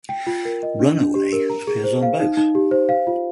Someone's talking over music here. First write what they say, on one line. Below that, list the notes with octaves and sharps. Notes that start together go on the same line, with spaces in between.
"Runaway" appears on both.
G5
F4
A#4
D#5
D4
D4
G4
A#4
A#5
G#4
C5
F5
D#4
D#4
G4
C5
F5
F4